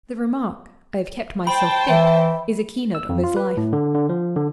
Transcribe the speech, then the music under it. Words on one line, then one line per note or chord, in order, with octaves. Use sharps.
The remark, "I have kept myself fit," is a keynote of his life.
C5 G5 A5 B5
E3 E5
E6
F2
F4
B4
A2
D3
D3
F3
D3